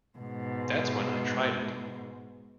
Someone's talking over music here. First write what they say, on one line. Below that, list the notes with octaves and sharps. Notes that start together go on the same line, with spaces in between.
That's when I tried it.
G#2 B2